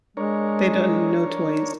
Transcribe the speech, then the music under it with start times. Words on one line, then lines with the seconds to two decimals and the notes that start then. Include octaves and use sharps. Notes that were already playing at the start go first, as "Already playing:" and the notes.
They don't no toys.
0.17 G#3 D4 A#4 C#5